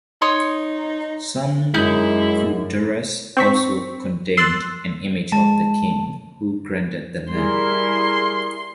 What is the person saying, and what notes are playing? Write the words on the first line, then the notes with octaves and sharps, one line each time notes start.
Some kudurrus also contained an image of the king who granted the land.
D#4 C#5 C6 D#6
F#2 G#3 D#4 E4 G6
C4 C#6 B6
C6 E6 F#6 A6
G#3 A5
G3 E4 G#4 A#4 C6